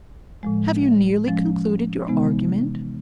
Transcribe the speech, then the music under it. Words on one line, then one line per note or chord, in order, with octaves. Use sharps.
"Have you nearly concluded your argument?"
A2 F3 G#3
F3 G#3 C#4
C3 E3 G#3 B3 D#4